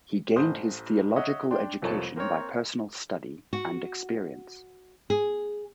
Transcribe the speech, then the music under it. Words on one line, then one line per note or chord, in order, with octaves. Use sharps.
He gained his theological education by personal study and experience.
A1 C5 C6 D#6
C#5 D#5 E5 F#5
D4 G5 C6
C2 F2 A3 A#4 C#5 A5
A#3 C4 A#4 C#5
F#4
G#4